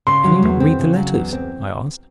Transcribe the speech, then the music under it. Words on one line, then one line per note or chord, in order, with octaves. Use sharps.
"Can you not read the letters?" I asked.
C#3 C6
F#3
E2
C4
C#3
F#3
E2
C4